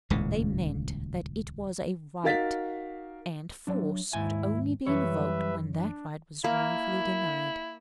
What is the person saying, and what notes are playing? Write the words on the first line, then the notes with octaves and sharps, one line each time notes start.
They meant that it was a right; and force could only be invoked when that right was wrongfully denied.
D#1 C#2 A2 C#3
D#4 F#4 A#4 F5 A6 B6
F#3 D4
D#2 G#2 E4 G#5
F#2 E3 G3 B4 C#5 E5
D4
A#3 E4